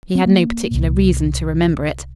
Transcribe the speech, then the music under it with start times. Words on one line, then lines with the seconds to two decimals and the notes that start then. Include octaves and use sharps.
He had no particular reason to remember it.
0.15 C4
0.26 A#3
0.71 C2 A#2